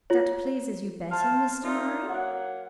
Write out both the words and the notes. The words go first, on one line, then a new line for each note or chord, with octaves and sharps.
"That pleases you better, Mr. Murray?"
F4 C#5
C5 F5 A5
D#4 F4 A#4 D5 E5
F#3 A#3 F#5